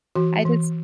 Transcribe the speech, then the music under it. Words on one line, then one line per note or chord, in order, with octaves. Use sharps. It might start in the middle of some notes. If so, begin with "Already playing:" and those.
I just
E3 F#4
E3